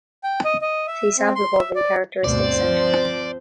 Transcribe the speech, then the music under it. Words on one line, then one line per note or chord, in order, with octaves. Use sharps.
See sample above in Characteristics Section.
G5
D#5
D#5
E5
C4
C6
E5
D5
D2 G2 B2 C4 C5 D5
F3